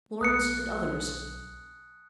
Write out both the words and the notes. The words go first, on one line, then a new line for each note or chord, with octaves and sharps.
Lawrence, and others.
B1 D#6 F#6 C#7